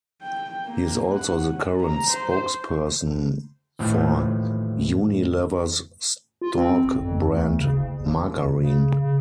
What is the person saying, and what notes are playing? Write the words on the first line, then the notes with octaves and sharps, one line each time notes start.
He is also the current spokesperson for Unilever's Stork brand margarine.
G5
A#3
F#5
C#4
A#5
C5
D#2 A2 E3 F3 A3
F4
C4
G#1
F2
D2
C#3
F#1
D#2
C#3
C#3